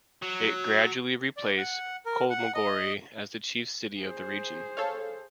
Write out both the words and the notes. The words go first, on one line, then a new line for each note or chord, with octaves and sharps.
It gradually replaced Kholmogory as the chief city of the region.
F#3
D5
F#5
A#4
F#5
D#5
G#4 C5
A4 C#5 F5